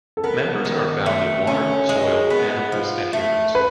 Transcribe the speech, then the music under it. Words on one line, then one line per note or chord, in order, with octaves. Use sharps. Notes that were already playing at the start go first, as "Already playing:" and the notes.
Members are found in water, soil, animals and humans.
A4
B3 A#4
D#3
A3
C#4
G#3
B3
F3
A3
B4